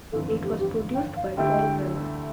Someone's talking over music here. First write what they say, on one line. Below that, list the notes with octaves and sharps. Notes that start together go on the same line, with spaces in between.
It was produced by Paul Weller.
G1 F2 E3 A4
A4
G4
G4
G5
F5
D2 D3 A3 E4 G4 G5